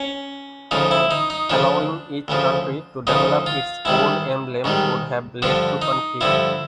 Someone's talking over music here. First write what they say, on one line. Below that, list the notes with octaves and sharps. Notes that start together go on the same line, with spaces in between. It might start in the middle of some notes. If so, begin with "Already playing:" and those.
Allowing each country to develop its own emblem would have led to confusion.
Already playing: C#4
D2 C#3 F3 D#4
E4
D#4
D#4
D2 C#3 F3 D4
D2 C#3 F3
D2 C#3 F3 D#4
F4
G#2 D#3 G3 E4
G#2 D#3 G3
G2 D3 F3 D4
D#4
G2 D3 F3 E4